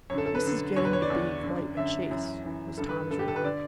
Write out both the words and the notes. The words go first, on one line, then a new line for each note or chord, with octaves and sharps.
"This is getting to be quite a chase," was Tom's remark.
F#2 D3 A4 C#5
A4
B4
F#2 D3
E2 D3 C#5
B4
C#5
D5
E2 D3
F#2 D3
F#2 D3 E5
F#2 E3
F#2 E3
G2 D3 A4
B4
G2 D3 A4
G4
A4
B4
D3 D5